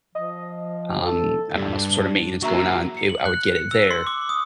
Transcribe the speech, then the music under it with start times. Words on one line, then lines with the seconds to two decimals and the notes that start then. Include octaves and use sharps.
um, I don't know, some sort of maintenance going on, it I would get it there,
0.15 F3 D#5
1.02 A4
1.56 G2 G3 D4
2.42 F#3 A#3 F#4 E5 A#5
2.97 C#7
3.09 F#7
3.26 F#6
3.56 C#7
3.71 E6
3.91 C6
4.07 D6
4.29 D#6